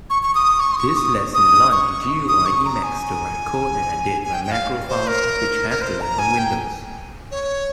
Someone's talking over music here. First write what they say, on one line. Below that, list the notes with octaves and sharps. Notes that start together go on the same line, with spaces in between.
This lets me launch GUI Emacs to write code and edit my macro files which have to live on Windows.
C#6
C#6
D#6
C#6
C6
C#6
D#6
D#6
C#6
D#6
C#6
A#5
G#5
G#5
G5
G5
F5
C5
A#4
A#4
C5
A#5
G#5
G5
C#5